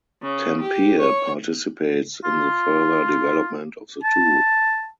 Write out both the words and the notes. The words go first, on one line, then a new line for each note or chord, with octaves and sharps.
Tampere participates in the further development of the tool.
C#3
G4
C#5
F4
A5